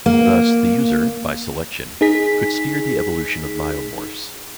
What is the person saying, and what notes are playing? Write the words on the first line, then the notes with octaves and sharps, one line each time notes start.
Thus, the user, by selection, could steer the evolution of biomorphs.
A#3
D#4 G#4 B6